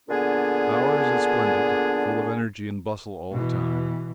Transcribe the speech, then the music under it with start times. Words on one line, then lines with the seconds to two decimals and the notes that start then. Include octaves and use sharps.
Bowers is splendid, full of energy and bustle all the time.
0.09 A#2 D3 B3 D4 G#4 G#5
3.31 B2 E3